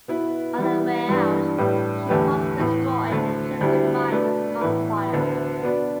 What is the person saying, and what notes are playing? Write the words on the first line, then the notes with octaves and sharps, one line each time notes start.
On the way out, she paused to destroy a drifting mine with gunfire.
B2 B3 E4 B4
E3 G3 E4
G2 E3 G3 B3 D4
A2 G3 D4 G4 B4
E2 D3 A3 G4 B4
A2 E3 B3
D2 D3 A3
D2 D3 G3 E4 G4
B2 A3 D4 B4
A2 E3 B3 E4 B4
D2 D3 B3
B2 B3 D4 B4